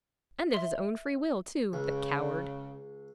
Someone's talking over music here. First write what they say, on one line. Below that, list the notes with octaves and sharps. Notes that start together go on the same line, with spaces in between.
And of his own free will, too, the coward!
E5 C6
C#2 C#3